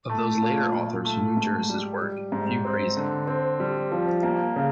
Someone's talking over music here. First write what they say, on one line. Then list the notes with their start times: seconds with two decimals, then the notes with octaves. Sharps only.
Of those later authors who knew Duris's work, few praise it.
0.10 A3
0.42 A#2
0.73 A#2
1.05 A3
1.37 G#2
1.69 G3
2.01 G3
2.32 G#2
2.65 C4
2.96 D3
3.27 C4
3.60 G3
3.92 F3
4.23 A#3
4.56 C#3